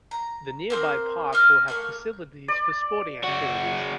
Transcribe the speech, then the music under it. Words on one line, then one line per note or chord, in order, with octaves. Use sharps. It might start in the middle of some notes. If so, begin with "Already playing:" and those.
The nearby park will have facilities for sporting activities.
A#5
A#3 C4 C5
D#5 D6 F6
A3 A#3 C#5
D5
C#3 F#4